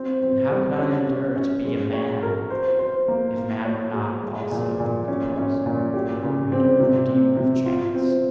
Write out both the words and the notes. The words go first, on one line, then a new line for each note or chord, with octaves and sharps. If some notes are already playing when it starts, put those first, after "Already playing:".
And how could I endure to be a man, if man were not also the composer, and riddle-reader, and redeemer of chance!
Already playing: C4
C4
G3
C#4
C#4
C#4
G#3
C#5
A#4
C5
C5
A#3
A#3
C#5
G#4
G#3
A#2
A#2
C#4
C#4
A#2
G4
C#3
C4
C3
C4
C3
F4
C4